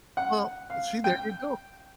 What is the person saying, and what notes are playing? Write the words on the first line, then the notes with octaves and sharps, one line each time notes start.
Well, uh, see, there you go.
F#5
F5
G5